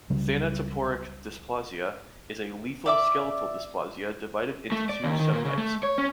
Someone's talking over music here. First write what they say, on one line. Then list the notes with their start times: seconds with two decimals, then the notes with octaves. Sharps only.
Thanatophoric dysplasia is a lethal skeletal dysplasia divided into two subtypes.
0.10 C#2 C#3 F#3 G3
2.86 D5 E5 D6
4.72 A3
4.89 D5
5.04 D#2
5.20 D#3
5.33 A#2
5.45 C#3
5.58 A3
5.83 C#5
5.98 C#4